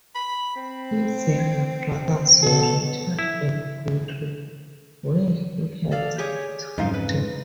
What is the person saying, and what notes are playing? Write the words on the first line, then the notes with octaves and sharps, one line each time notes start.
His younger brothers were Richard and Godrey whom he helped tutor.
B5
C4
B2 A4
E4
A4 D5 F5
G4 G#4 C#5
F2 G#2 C#3 G#3 D#4 F5
B4